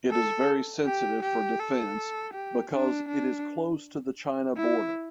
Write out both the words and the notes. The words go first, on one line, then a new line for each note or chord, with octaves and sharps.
It is very sensitive for defence because it is close to the China Border.
A4
G4
G4
A4
G4
D4
D4
E4